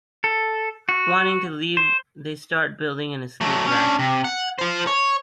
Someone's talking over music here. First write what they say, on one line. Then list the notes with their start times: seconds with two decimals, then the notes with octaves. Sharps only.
Wanting to leave, they start building an escape raft.
0.24 A4
0.89 F#4
1.77 C5
3.41 F#3 A3
3.67 C#4 D4
3.99 C3
4.24 F#5
4.59 F4 C5
4.87 C#5